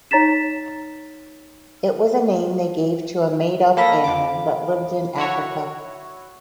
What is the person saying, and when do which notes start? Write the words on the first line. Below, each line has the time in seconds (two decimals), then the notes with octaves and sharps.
It was a name they gave to a made-up animal that lived in Africa.
0.11 D#4 C#5 A#5 A6 B6 E7
3.77 A#3 A4 F5 B5 A#6 B6
4.04 F2 D6
5.18 E4 F#4 C#5